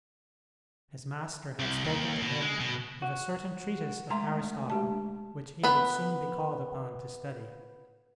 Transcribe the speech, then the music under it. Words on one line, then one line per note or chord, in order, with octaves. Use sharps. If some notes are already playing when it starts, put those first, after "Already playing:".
His master had spoken to him of a certain treatise of Aristotle which he would soon be called upon to study.
C2
D#2
B2
G#3
B2
F#4
D2 G#3 A#5 C6
G#3 G4 A5
B3 B4